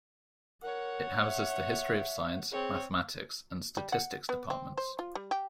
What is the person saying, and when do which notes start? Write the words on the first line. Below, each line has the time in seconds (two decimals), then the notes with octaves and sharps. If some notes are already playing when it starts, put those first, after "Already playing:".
It houses the History of Science, Mathematics, and Statistics Departments.
0.62 A#4 C#5 F#5
1.26 E5
2.52 C4 G#4 C#5
3.77 G3
3.92 F#5
4.29 B3
4.50 C4
4.77 C5
4.99 F4
5.15 G3
5.31 G4